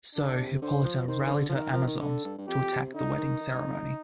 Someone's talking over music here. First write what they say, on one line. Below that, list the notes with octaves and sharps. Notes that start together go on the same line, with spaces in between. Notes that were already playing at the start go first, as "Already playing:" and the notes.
So Hippolyta rallied her Amazons to attack the wedding ceremony.
D3 D4
C3
D3 C5
F3
D#3 C5
D#3
D3
F3
D#3 A#4
F3
D#3
D3 A4
G2
G2
F2 G4
C3
D3 D#4
D#3
D#3
G2
F2